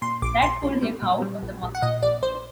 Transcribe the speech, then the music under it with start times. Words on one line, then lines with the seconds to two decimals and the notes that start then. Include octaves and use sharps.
That pulled him out of the muck.
0.02 A#2 C6
0.22 A#1 D6
0.42 A#1 C6
0.62 A#1
0.82 G3
1.02 A#2
1.22 G3
1.43 A#1
1.62 A#1
1.75 F#5
1.82 A#2 D#5
2.03 A#1 D5
2.22 A#1 C5